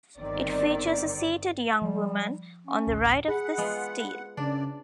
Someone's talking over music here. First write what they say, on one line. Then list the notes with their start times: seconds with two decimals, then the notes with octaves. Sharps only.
It features a seated young woman on the right of the stele.
0.18 G1 D#3 C4 D5
1.82 F3 G3
2.67 C#4
2.87 A1 D2
3.28 G#4 F#5 B5
3.58 G#3 B3 F4
4.37 F#2 C#3 D4 D5